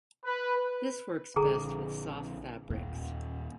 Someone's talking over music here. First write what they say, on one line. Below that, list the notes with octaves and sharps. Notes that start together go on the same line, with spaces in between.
This works best with soft fabrics.
B4
A#1 D3 G#4 A4 A#5
D#2 A#2 A#3